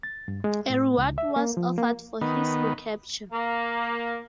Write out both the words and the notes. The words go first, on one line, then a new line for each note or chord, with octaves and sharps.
A reward was offered for his recapture.
A6
G2
G#3
A2
C#2
E5
A#3
F3
A#3
D#3 B3
A#3